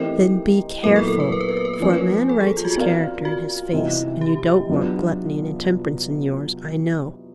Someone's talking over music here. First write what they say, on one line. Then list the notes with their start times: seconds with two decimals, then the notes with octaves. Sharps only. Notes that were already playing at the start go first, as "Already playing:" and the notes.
'Then be careful; for a man writes his character in his face; and you don't want gluttony and intemperance in yours, I know.'
Already playing: E3 A3 C4 D#4 G4 A#4
0.84 A#2 F#3 B3 E4 A#4
0.96 A4
1.08 A#4
1.20 B4
1.32 A#4
1.41 B4
1.49 A#4
1.57 B4
1.65 A#4
1.73 B4
1.80 F3 A#3 C#4 A#4
1.90 B4
1.98 A#4
2.29 A4
2.40 G#4
2.57 F4
2.65 F#4
2.76 C4 F4 F#4 A#4 D5 F5
3.25 F#4
3.73 C3 E3 G3 C4 D#4
4.21 G4
4.69 F#3 B3 D4 F4